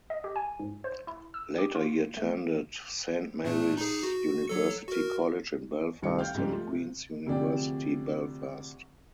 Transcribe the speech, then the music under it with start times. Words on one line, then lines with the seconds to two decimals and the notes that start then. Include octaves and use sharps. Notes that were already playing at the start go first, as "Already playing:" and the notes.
Later he attended Saint Mary's University College in Belfast and Queens University Belfast.
0.10 D#5
0.24 G4
0.36 G#5
0.60 G#2
0.84 C5
1.07 E4
1.34 E6
1.58 G4
1.75 F4
2.17 A3
3.45 A#2 A3 D4
3.77 D#4 G#4
4.03 F#4
4.48 F#3 A4 C#7
4.88 F#4 A#4
6.02 C2 D#3 G3 A3 C#7
6.19 F5 G5 G6
6.35 G#2 C#3 F3 G3 G4
6.50 A3 F4
6.67 C3
7.26 D2 C3 F3 G#4 D5 G5